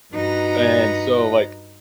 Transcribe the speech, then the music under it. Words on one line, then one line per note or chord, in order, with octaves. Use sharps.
And so, like,
G2 D#4 F#4 B4 A#5 A#6